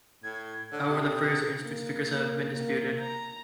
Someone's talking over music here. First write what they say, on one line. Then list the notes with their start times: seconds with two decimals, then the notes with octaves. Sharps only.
However, the Fraser Institute's figures have been disputed.
0.24 A2 G#6
0.72 D3 C#5
0.90 C3 D#6
1.63 A#3
2.08 A#3
2.52 A#3
3.00 A#5